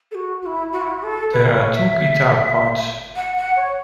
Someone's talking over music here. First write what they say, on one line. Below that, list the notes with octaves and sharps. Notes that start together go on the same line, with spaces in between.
There are two guitar parts.
A4
F#4
F#4
E4
F#4
E4
F#4
A4
B4
C#5
E5
F#5
F#5
C#5